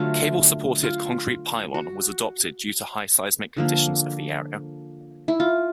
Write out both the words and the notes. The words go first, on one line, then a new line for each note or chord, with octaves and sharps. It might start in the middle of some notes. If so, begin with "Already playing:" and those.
Cable supported concrete pylon was adopted due to high seismic conditions of the area.
Already playing: D3 F#3 A3 F4
F4
F#4
D3 F3 A#3
E4
F4